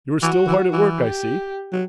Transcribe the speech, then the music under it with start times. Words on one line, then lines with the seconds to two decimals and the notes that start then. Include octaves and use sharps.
"You are still hard at work, I see?"
0.22 E3 F#4
0.47 E3
0.73 E3
0.98 G4
1.73 F#3